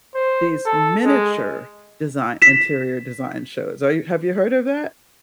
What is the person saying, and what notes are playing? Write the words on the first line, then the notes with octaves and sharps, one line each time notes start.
these miniature design interior design shows. Are you Have you heard of that?
C5
A4
G#3
B6 E7